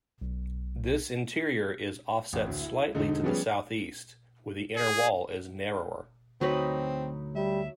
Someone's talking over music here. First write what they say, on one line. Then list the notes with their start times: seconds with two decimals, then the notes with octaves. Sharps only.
This interior is offset slightly to the southeast, where the inner wall is narrower.
0.22 B1
2.33 A1
2.47 D2
2.61 E4
2.94 E1 D3 D#4
3.23 F3 G3 B3 C#4 G#4
4.77 G#4
6.41 D2 F#3 C4 D#4 B4
7.36 G3 E5